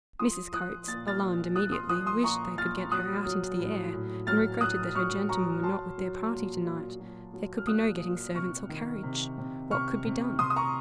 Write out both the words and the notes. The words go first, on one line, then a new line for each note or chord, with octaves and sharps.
Mrs. Coates, alarmed immediately, wished they could get her out into the air, and regretted that her gentlemen were not with their party to-night--there could be no getting servants or carriage--what could be done?
F3 C6 D#6
F3 D#6 F#6
A#2 A6
F6 A6
A#2
F3 D#6 F#6
C6 D#6
F3 D#6 F#6
C6 D#6
A#2 A#5 C#6
A#2 F6 A6
F#3 D#6 F#6
F#3
A2
A2
F#3 F6 A6
F#3 D#6 F#6
F#3 C#6 F6
F#3 A#5 C#6
F#3 A5 C6
F#3
A#2
A#2
F#3
F#3
F6
A#2 D#6 F#6
A#2
C3 C#6 F6
D#3
C3
C3
C3 C#6 F6
C3
C3 C6 D#6
D#6
A#5 C#6